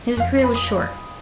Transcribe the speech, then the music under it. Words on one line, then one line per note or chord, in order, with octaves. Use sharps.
His career was short.
F#2
F2 F5
B5
D#6